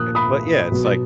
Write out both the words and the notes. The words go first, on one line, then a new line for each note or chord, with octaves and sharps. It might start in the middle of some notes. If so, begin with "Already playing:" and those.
Eh but yeah, it's, like,
Already playing: A#2 F3 A#3 D#6 F#6
B5 D#6
B2 F#3 B3